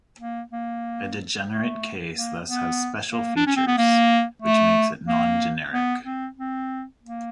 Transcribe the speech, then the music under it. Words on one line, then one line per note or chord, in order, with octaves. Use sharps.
A degenerate case thus has special features, which makes it non-generic.
A#3
A#3
A3
A#3
B3
A#3
D4
C#4
C4
B3
A#3
A3
A#3
B3
C4
C4
A#3